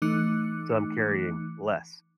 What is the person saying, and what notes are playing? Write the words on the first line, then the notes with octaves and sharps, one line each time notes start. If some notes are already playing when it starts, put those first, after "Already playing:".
so I'm carrying less,
E3 A3 D#4 D6 F#6 C#7